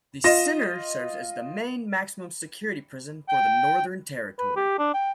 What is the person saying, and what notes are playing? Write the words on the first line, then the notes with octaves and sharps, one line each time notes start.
The centre serves as the main maximum security prison for the Northern Territory.
F4 D#5 A#6 E7
G5
B4
G4
D4
G5